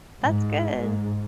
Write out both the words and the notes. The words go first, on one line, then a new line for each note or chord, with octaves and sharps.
That's good.
G#2